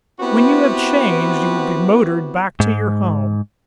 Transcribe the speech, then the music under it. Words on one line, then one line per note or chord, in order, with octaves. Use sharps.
When you have changed, you will be motored back to your home.
B3 C4 E4 F#4 G4 B4
G#2